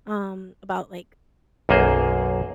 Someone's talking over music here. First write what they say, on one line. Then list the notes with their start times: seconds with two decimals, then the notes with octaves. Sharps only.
um, about, like,
1.69 B1 F#2 A#3 G#4 C5